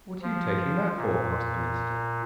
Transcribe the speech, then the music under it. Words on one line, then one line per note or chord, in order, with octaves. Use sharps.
'What are you taking that for?' asked the minister.
F3
A#2